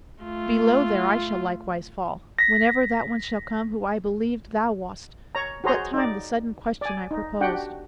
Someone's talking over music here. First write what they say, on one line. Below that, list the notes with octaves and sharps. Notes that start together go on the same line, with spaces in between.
Below there I shall likewise fall, whenever That one shall come who I believed thou wast, What time the sudden question I proposed.
A3 F4
A#6 B6
C#5 A#5
F#4 G#4 C5 C#5 A#5 C6
D#4 D5
D5 G#5
D#4
D4 F#4 G4 F#5 G5